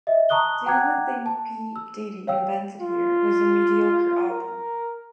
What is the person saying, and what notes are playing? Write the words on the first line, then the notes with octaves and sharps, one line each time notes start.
The only thing P. Diddy "Invented" here was a mediocre album.
D#5 E5
A5 A#5 C#6 D#6 F#6 G7
F#5 G5 A#5 D6 F#6 G#6
A5
E6
C#5 F5 G5 E6
F4
A#4